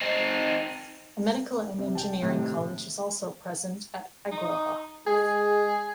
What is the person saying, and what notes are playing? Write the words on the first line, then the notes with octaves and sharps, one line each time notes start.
A Medical and Engineering college is also present at Agroha.
C4 D#4
C3
G5 A5
A2 C3 D#3 A3
D#4
G#3 G#4